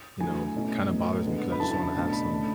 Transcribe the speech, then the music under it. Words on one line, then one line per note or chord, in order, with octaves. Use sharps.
you know, kinda bothers me 'cause I just wanna have some
D3 F#3 A3 E4 G#5
B2 A3 C#4 E4
A2 F#3 B3
D3 G#3 B3
B5
D3 F#3 C#4 E4 A5
A5
A5
B2 A3 D4 A5
B5
D3 A3 C#4